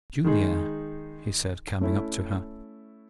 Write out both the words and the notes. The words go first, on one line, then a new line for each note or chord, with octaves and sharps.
"Julia," he said, coming up to her.
D#3 G#3 D#4 G#4
A3 C#4 E4